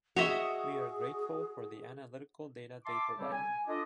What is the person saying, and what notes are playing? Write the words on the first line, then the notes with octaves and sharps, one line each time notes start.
We are grateful for the analytical data they provided.
F#4 G#4 C#5 D#5 E5
E5 A5 C6 D6
C#3 G3 C4 G4 A4 C#5
G#5
D4 F4 A4 D5 D#5